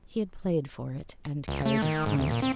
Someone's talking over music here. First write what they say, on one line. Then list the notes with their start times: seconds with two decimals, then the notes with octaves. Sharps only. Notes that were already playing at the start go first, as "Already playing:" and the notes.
He had played for it, and carried his point.
1.48 C#2
1.65 A3
1.82 D#3
2.06 G#2
2.19 D2
2.31 A#2
2.42 C4